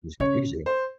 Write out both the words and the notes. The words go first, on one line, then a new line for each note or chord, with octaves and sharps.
it was crazy.
C#3 C#5
C5